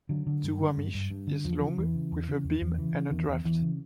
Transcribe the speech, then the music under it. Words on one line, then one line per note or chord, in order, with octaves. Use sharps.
"Duwamish" is long with a beam and a draft.
D3 F#3
D3
G2
D3
G2
G2
G2
D3
E2 F3
C#3
E2 E3
C#3
E2
C#3
E2
E2
C#3 E3
C#3
E2 D#3
E2
E2 E3
C#3